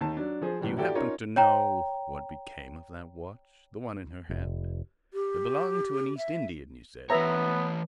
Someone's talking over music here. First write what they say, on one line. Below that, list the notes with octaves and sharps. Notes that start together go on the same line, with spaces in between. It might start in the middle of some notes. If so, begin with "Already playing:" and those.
"Do you happen to know what became of that watch--the one in her hand? It belonged to an East Indian, you said."
D#2 D#4 A5
F#3 D4
F3 G#4 C5
F#2 A2 E3 G3
E4 F#4 G4 A4 D5 G5
C#4 D#4 F4 A#4 C#5
C#5 G5 A#5
F1
G4
E5
E3 B3 B4 C#5 E5 A#5